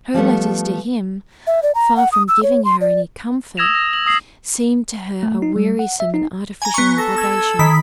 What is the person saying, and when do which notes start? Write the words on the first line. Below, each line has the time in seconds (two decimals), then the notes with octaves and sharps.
Her letters to him, far from giving her any comfort, seemed to her a wearisome and artificial obligation.
0.14 F3 G3 A3 B3
1.47 E5
1.63 D5
1.75 A#5
1.97 F#5
2.12 D#6
2.28 E6
2.43 C#5
2.65 C6
2.81 D5
3.57 D#6 E6 G#6 A#6 E7 F7
3.75 A#6
3.93 F#7
4.06 D#6 C7 F#7
5.23 A3
5.42 D#4
5.56 G3
5.79 F#5
6.00 E5
6.14 D#4
6.62 G#5 A#5
6.74 B3 C#6
6.98 A4 A#6
7.16 E6 G#6
7.59 D#3 B5 B6